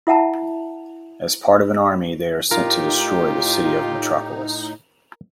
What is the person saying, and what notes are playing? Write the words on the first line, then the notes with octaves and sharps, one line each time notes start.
As part of an army, they are sent to destroy the city of Metropolis.
E4 E5 F#5 A5 A#5
A2 D#4 F4 G4 A#4